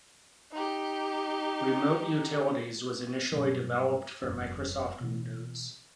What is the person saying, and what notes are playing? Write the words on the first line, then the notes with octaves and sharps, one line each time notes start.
Remote Utilities was initially developed for Microsoft Windows.
D#4 G4
G2 B2 F#3
F1 G2 C#4
B2 E3